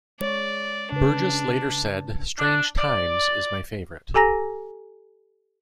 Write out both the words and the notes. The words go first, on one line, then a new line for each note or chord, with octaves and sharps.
Burgess later said, "Strange Times" is my favourite.
G#3 C#5 D5
C#3 D4 B4
D4
D5
G4 A4 G#5 A#5 A#6